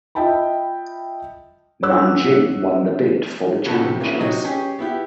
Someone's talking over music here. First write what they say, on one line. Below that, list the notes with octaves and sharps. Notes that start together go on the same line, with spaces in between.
Nanjing won the bid for the Championships.
F4 D#5 E5 G5 A5 B5
C#5 F#5 D6 E6 F#6
C#3 F#4 A4 B5
C3
A#3 B3 C#4 E4
C3 F#3 D#4 D#5
C#4 G4 G#4
B3 E4 G4